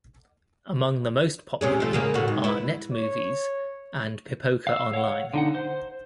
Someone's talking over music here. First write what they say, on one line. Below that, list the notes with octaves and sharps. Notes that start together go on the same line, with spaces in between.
Among the most popular are NetMovies and Pipoca Online.
C3 C#4 G#4
F3 A3
C#3 A#3 G#4
A2 F#4
G#2
B3 E4
C#5
F5 E6
C#5 F5 F#5
D3 D#4 F#5
C5